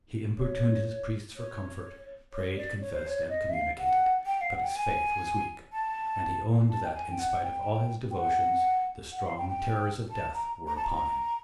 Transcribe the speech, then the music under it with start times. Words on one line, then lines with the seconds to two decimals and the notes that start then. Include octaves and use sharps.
He importuned his priests for comfort, prayed, confessed, and communicated: but his faith was weak; and he owned that, in spite of all his devotions, the strong terrors of death were upon him.
0.38 C#5
1.36 C#5
2.33 C#5
2.57 D5
2.81 C#5
2.94 C5
3.07 C#5
3.29 D#5
3.49 E5
3.54 F5
3.78 F#5
4.26 G5
4.41 F5
4.52 F#5
4.63 G5
4.76 G#5
5.72 A5
6.70 A5
6.85 G5
6.94 G#5
7.11 G5
7.19 F#5
7.43 G5
8.11 G5
8.16 F#5
9.12 F#5
9.25 F5
9.38 G5
9.49 G5
10.10 A5
10.34 A#5
10.67 A#5
10.76 A5
10.84 A#5